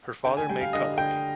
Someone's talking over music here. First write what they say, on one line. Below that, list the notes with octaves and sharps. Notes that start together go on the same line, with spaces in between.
Her father made cutlery.
D3 G5
G#5
G3 G5
F5
D3 D#5
D3 G5